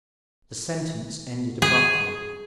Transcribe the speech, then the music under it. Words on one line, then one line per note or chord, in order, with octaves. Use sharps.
The sentence ended abruptly.
G#4